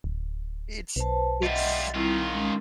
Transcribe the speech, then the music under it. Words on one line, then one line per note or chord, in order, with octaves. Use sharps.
It's it's
D1
B1 B4 C5 A5
G3 F4 D#5 E5 F#5
D#3 G3 C4 E4 F4
G#3 C#4